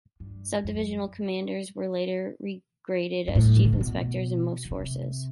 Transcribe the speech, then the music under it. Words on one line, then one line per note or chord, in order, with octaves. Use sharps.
Sub-divisional commanders were later regraded as Chief Inspectors in most forces.
G2
F#2
G2
A2
E3
D3
C3
B2
D3
C3